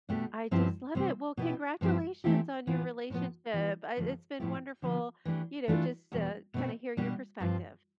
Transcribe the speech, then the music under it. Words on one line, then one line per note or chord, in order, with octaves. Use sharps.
I just love it, well, congratulations on your relationship, uh, it's been wonderful, you know, just to kinda hear your perspective.
B2 A3 D4 G4
G2 F3 C4 E4 G4
C3 G3 C4
B2 B3 E4 G4
G2 F3 C4 E4 G4
E3 A3 C4 E4 G4
A2 E3 B3 F4
A2 F3 B3
E3 G3 B3 F4
F2 D3 F3 A3
A2 F3 A3 E4 G4
D3 F3 B3
E3 A3 D4 G4
E3 A3 D4 F4
E2 B2 G3
B2 A3 C4
B2 G3 D4 G4
G2 F3 C4 F4